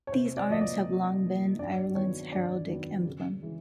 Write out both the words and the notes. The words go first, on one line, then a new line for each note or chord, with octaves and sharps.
These arms have long been Ireland's heraldic emblem.
C#5
C3 C5
D5
F3 A#3 D#5
D5
C3
F3 A#3
G2 D5
D#3 F#3 B3 C#5
G2 D5
D#3 F#3 B3
C#3
E3 G#3